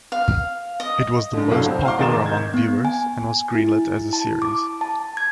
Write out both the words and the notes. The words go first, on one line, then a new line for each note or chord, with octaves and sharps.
It was the most popular among viewers, and was greenlit as a series.
F5
D#5
F#2 D3
C2 A2 D3 F#3 E4 F5
C4
F5 F#5 A#5 C6 D6
F1 D#3 G#4 A#4 A6 E7
G6 G#6
B3
G#5
E4
A5
D6
A5
G#6